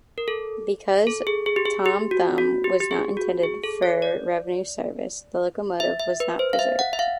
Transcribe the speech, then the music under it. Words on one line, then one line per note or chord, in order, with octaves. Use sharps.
Because "Tom Thumb" was not intended for revenue service, the locomotive was not preserved.
A#4
A4
A4
G#4
G#4
G4
G#4
G4
F#4
F#4
G4
G4
G#4
F#4
G#4
A4
C#5
D5
E5
E5
B4
C5
F5
E5
F#5
E5
F5